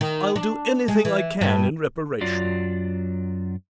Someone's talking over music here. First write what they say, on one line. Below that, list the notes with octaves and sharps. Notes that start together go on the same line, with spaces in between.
I'll do anything I can in reparation.'
D#3
D4
G#3
E3
G2
F#2 F#3 F4 D5